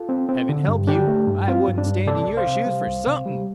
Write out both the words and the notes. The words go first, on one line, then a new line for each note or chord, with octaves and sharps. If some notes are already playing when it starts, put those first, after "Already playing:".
Heaven help you, I wouldn't stand in your shoes for something.'
Already playing: F4 A4
C4
C4
D3
G2
D3 D4 G4
A3
G2
C4 F4
G2
D4
G2
C3 A4 D5
C2
C5 F5
C3
G3
C2
C3
G3